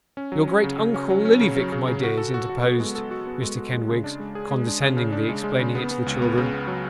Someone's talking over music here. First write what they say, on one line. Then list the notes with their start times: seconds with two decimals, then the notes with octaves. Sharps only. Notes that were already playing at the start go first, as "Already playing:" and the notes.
Your great-uncle, Lillyvick, my dears!' interposed Mr Kenwigs, condescendingly explaining it to the children.
0.17 C#4
0.32 F#3
0.47 C#4
0.64 C#3
0.79 C#3
0.94 C#4
1.10 F#3
1.25 C#4
1.41 C#3
1.56 F#3
1.72 C#3
1.88 C#3
2.03 F#4
2.18 A4
2.34 F#4
2.49 F#4
2.65 B3
2.80 G#3
2.95 A4
3.11 F#4
3.27 B3
3.42 G#3
3.58 F#4
3.73 G#3
3.89 C#3
4.04 D4
4.20 G#3
4.35 G#4
4.51 G#3
4.67 D4
4.82 C#3
4.97 C#3
5.12 D4
5.29 G#3
5.44 G#3
5.59 C#3
5.75 B3
5.91 B3
6.06 C#2
6.22 B3
6.38 C#3
6.53 B3
6.68 F#3